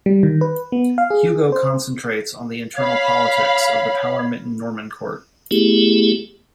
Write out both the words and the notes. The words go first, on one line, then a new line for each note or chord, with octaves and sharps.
Hugo concentrates on the internal politics of the Palermitan Norman court.
G3
D#3
B4
B3
F5
G#4
C5
C#5 F5 B5
A3 B3 E4 G4 G#4